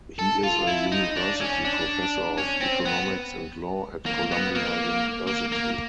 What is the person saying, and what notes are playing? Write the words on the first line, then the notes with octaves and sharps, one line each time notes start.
He is a University Professor of economics and law at Columbia University.
A4
F4
E4
D#4
D4
C#4
D4
C#4
C4
B3
A#3
B3
A#3
A#3
A#3